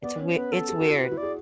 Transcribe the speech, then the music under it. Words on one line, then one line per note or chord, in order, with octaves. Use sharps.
It's wei it's weird.
B3 D5
C#4
B3 B4
A4
G#4
F#4
E4
B4
E4
D5
G#4